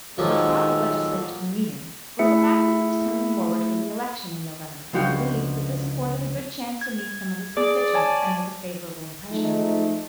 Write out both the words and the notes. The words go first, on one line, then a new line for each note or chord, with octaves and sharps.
What brought the legislator to the meeting was the fact that he was coming forward for re-election in November, and believed that this afforded a good chance to meet some of his constituents and make a favorable impression.
A#2 D#3 F3 F#3 G#3 A4
A3 E4 G#4 E5 C#7
C#2 D3 F3 F#4 G4 G5
G#6
G#4 D5
C#5 G#5 A5
F3 G#3 A3 D#4